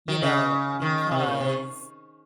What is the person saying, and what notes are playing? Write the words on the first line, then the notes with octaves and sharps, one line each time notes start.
You know, because,
D#3
C#3
D#3
C3
A#2
C3